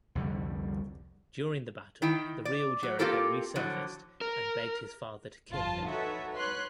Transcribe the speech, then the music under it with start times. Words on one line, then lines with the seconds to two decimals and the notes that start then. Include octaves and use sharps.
During the battle, the real Jericho resurfaced and begged his father to kill him.
0.15 C2 F2 D3 G3
2.02 D#3 E4 G5
2.45 D5
2.83 F#3
2.99 A#3 C4 F4 G4 A4 A#4
3.55 A2 D3 F3 F#3
4.21 A#4
5.50 G1 F2 F4 A5
5.87 D#4 F#4 A4 B4 C#5 E5
6.33 B4 C#5 C6 F#6